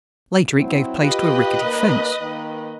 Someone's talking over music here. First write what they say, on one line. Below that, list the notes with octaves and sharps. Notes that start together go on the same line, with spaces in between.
Later it gave place to a rickety fence.
F#3 C4 E4
F4 G4 B4 D#5
D#2 A#3
D#3 A#3